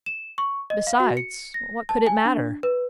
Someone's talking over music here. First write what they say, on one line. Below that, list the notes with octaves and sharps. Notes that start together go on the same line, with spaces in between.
Besides, what could it matter?
E7
C#6
D#5
F5
F#4
C#7
A#6
A5
G#5
D4
B4